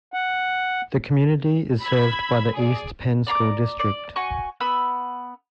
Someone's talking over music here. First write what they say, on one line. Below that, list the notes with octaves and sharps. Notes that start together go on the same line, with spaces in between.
The community is served by the East Penn School District.
F#5
B5 E6 G#6 B6
G#4 D5
D5 A#5 C6 D6
D5
F#4 G#5 C#6
B3 B5 E6